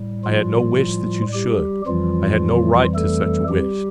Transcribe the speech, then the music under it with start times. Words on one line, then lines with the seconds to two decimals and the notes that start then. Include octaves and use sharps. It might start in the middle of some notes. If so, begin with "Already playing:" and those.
I had no wish that you should; I had no right to such a wish.
Already playing: A2 G3
0.24 F3 F4
1.33 G3 G4
1.86 F2 E3 F3 G3 F4
2.95 A3 A4
3.48 G3 G4